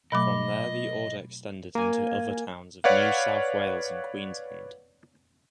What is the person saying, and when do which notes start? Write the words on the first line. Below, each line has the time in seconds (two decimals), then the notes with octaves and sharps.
From there the order extended into other towns of New South Wales and Queensland.
0.12 B2 F#3 A3 D#5 B5 D6
1.75 A#3 G#5
2.84 B4 C#5 D5 F5 F#5